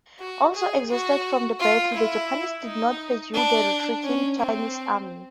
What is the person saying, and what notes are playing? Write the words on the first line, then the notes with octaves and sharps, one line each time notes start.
Also exhausted from the battle, the Japanese did not pursue the retreating Chinese army.
F#4
G#4
F#4
F4
E4
D#4
D4
C#4
C4